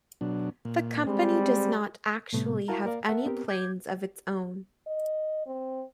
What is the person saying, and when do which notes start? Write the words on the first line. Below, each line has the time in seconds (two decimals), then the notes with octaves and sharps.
The company does not actually have any planes of its own.
0.21 B2 F#3 D4
0.65 A#2
1.07 G3 G#3 C4
2.33 A2 C3 G3 A3 B3
2.68 E4 F#4 A#4 F5 A5 A#5
2.85 A#3 A#4 D5 F5
3.07 A#4 E5 F#5 A5
3.26 B3 C4 G4 A#4
3.48 D6 G6 G#6
4.87 D#5
5.47 C4